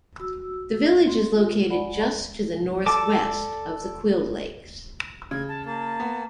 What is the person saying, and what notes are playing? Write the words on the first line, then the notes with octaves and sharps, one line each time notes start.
The village is located just to the northwest of the Quill Lakes.
F#4 E6
C4
F4
G#3 D5 F#5 B5
A4 D5 A5 D6
C#3 G#6
A5
A#3 A5
B3